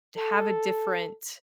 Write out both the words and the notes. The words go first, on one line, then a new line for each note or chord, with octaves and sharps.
have a different
A4